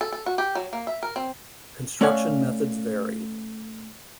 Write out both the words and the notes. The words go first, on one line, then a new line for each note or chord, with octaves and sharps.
Construction methods varied.
A4
A4
F#4
G4
F#3
A#3
E5
A#4
C4
A3 C#4 D5 F5 F#5 G#5